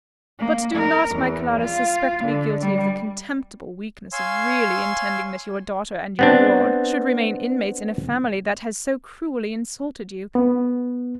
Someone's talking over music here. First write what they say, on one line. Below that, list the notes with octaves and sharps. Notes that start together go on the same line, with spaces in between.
But do not, my Clara, suspect me guilty of the contemptible weakness of really intending that your daughter and your ward should remain inmates in a family that has so cruelly insulted you.
A#3
A#4
E2
F4
D3
G3
C#5 F5 G#5 C6 E6
B3 C4 D4
B3